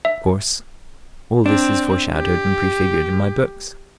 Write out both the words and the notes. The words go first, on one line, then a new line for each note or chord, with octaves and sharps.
Of course all this is foreshadowed and prefigured in my books.
E5
C4 D4
G4